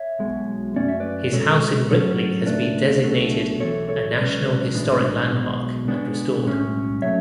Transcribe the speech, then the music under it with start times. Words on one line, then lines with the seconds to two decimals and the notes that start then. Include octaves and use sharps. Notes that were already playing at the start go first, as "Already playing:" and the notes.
His house in Ripley has been designated a National Historic Landmark and restored.
Already playing: C#5 E5
0.19 B1 B2 G#3
0.76 F#2 D3 A3 C#4 D5
0.89 E5
1.00 B4 D5
1.32 B1 B2 G#3 A4 C#5
1.90 G#2 F#3 A3 C#4 A4 C#5
2.46 C#2 B2 A3 D4 B4 D5
3.03 B1 B2 A3 D4
3.60 B1 A2 E3 A4 C#5
3.88 A4 C#5
4.17 B1 B2 G#3 C#4 B4 D5
4.74 B1 A2 E3 G#3 D4
5.31 B1 B2 G#3
5.88 B2 G#3 B3 D4
6.45 B1 A2 G#3 C#4
7.02 F#3 A3 C#5 E5